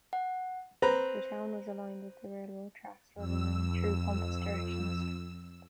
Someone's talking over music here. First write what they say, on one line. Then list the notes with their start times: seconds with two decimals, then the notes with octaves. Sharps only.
The town was aligned with the railroad tracks rather than in true compass directions.
0.13 F#5
0.82 C4 B4 A#5
3.15 F2 E6